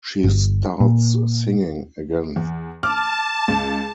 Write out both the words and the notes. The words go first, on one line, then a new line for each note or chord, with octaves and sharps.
She starts singing again.
G1
A#2
E2
A5 D6 F6
C#2